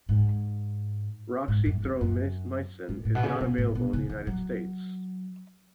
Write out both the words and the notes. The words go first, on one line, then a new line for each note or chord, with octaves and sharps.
Roxithromycin is not available in the United States.
G#2
G#2
F#2
E2
F#2
G#2
A2
B2
C#3
B2
A2
B2
C#3
E3
F#3